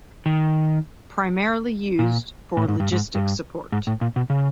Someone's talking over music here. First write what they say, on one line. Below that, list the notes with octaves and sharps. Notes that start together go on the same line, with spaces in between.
Primarily used for logistic support.
D#3
A#2
A2
G#2
G2
G#2
G2
G#2
A2
A#2
B2
C#3